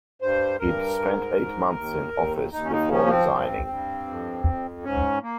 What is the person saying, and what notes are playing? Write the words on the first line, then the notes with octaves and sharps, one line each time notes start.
He'd spent eight months in office before resigning.
G2 C5
G2 A#4
G#2
G#2
D#2
D#2
D#2 D#4
C#4
D#4
F3 C#4
A#3
C4
G2
G2
F2
F2
G#2 C#4
A#3